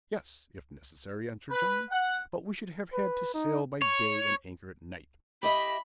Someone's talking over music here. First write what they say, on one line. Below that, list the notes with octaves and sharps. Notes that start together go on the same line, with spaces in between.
"Yes, if necessary," answered John; "but we should have had to sail by day and anchor at night."
B4
F#5
B4
D#4
C#5
G4 D#5 E5 B5